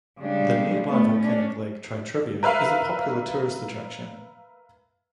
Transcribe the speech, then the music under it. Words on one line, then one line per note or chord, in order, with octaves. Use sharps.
The nearby volcanic lake Tritriva is a popular tourist attraction.
C#3 G3 G#3 D4
A3 B3
C#4 D4
A#4 B4 E5 F5